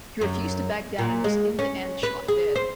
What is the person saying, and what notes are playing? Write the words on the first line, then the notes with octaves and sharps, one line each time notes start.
He refused to back down and was in the end shot dead.
F#2
A#2
G#3
C#4
B4
G#4
C5